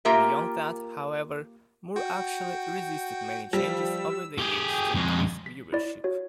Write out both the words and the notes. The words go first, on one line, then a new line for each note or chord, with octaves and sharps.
Beyond that, however, Moore actually resisted many changes over the years to increase viewership.
A#3 F4 G4 A#4 E5
F#4 G5
F3 G3 E6
G4 G#4
F2 G#3
B6
E4 D5
F#4 C#5